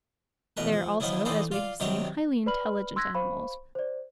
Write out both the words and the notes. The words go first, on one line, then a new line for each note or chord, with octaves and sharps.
They are also, as we have seen, highly intelligent animals.
A1 B2 A#4 B4
F3
D#3 F3 F#3 B3 E4
E3 B3 D#4 A4 C5 D5
F4 D5 F5
G2 C3 D#3 F#3 C#5
B4 D5 B5 F6 F#7
C6 E6 F#6 G#6 A#6 B6
C5 F5 B5 C#6
C5 D5